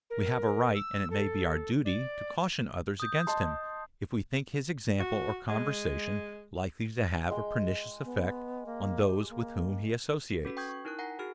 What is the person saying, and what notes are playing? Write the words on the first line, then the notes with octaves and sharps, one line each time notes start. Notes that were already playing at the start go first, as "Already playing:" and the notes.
We have a right, and it may be our duty, to caution others against him, if we think his example or conversation likely to have a pernicious effect on those with whom he associates.
A#4
E6
A4
D5
D#6 G6
D#5 A5 C6
F#4
G#3
G#3 G5
B3
A#3
G4
A#3
C#4 F#4 A4 B4 B6
G5 C#6 D#6 G6 G#6
C#6
D#4 E4 A#4 G5 F#6
A#4 F#5 G#5 A#5 A#6 C7
F#4 G#4 F6 D7